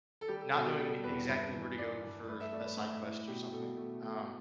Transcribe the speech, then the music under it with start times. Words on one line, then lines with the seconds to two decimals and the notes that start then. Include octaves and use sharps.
not knowing exactly where to go for a side quest or something, um,
0.21 A4
0.28 G3 G4
0.41 A4
0.53 B2 A4
0.66 G4
0.78 G3 A4
1.04 E2 B4
1.28 G2 B4
1.53 E3
1.78 G2 D5
2.03 G2
2.28 A3 B4
2.40 E5
2.52 A3 D5
2.65 B4
2.77 A2 E4
3.02 A2
3.27 B2 G4
3.52 B2 A4
3.77 A3
4.02 A3